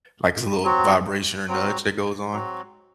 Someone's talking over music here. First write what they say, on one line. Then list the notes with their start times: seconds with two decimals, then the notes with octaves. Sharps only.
like, it's a little vibration or nudge that goes on.
0.64 F#3 C4 F#4
1.48 F#3 C4 F#4
2.32 F#3 C4 F#4